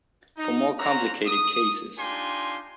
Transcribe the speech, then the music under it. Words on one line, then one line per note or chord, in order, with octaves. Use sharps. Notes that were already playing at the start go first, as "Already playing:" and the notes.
For more complicated cases.
D#4
C#4 F#4 C5 A#5
D#6
D4 D#4 F4 G4 G#5 C6